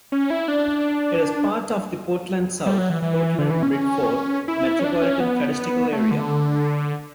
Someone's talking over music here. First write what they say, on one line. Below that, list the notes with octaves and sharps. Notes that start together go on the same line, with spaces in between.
It is part of the Portland-South Portland-Biddeford Metropolitan Statistical Area.
C#4
E4
D4
G3
F#3
E3
E3
D3
E3
C#4
E4
C#4
D4
C#4
B3
A3
D3